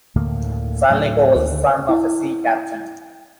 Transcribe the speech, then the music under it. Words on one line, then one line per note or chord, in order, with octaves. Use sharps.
Salnikov was the son of a sea captain.
D2 A2 D3 A#3
D2 A2 F#3
D2 D3 D#3
E4